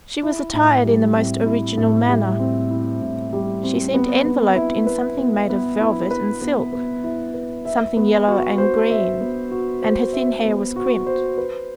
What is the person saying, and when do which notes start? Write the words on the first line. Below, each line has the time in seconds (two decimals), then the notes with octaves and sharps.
She was attired in the most original manner; she seemed enveloped in something made of velvet and silk, something yellow and green, and her thin hair was crimped.
0.23 E4
0.53 A2
0.85 G3
1.16 C4
1.46 E4
1.77 A2
2.09 G3
2.39 C4
2.71 E4
3.02 A2
3.33 G3
3.63 C4
3.94 B3
4.25 B3
4.56 E4
4.87 B4
5.18 B3
5.50 B3
5.81 E4
6.11 B4
6.41 B3
6.73 B3
7.04 E4
7.34 B4
7.65 E5
7.97 B3
8.28 F#4
8.58 C5
8.90 E5
9.20 B3
9.51 F#4
9.82 C5
10.13 E5
10.45 B3
10.76 F#4
11.06 C5
11.38 B4